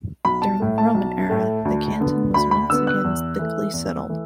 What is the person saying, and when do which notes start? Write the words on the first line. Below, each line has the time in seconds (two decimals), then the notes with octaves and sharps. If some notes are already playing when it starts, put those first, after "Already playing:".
During the Roman era, the canton was once again thickly settled.
0.25 B1 B5
0.42 A5
0.60 A2 A3
0.78 A5
0.95 B1
1.30 A2 A3
1.65 D2
2.00 D3 B3
2.34 D2 B5
2.51 B5
2.70 D3 B3 E6
2.87 F#6
3.04 E2
3.39 E3 A3
3.73 E2
4.09 E3 A3